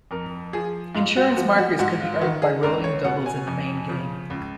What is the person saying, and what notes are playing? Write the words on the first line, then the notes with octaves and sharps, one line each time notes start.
Insurance markers could be earned by rolling doubles in the main game.
F2 A#4
F3 G#4
G#2 F4
F#4
F3 F#4
F#4
G#2 F#4
F4
D#3 F#4
G#4
C#2 A#4
C#5
B2 F#5
G#5
F2
C#3 F3
C#2